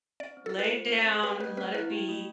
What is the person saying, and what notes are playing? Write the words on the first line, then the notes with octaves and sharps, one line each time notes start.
lay it down and let it be,
C4 D5
C4
A4
F4 B4
C5
C4
C4
G4 B4
A3 B4
C4 B4
E4 B4
G4
A3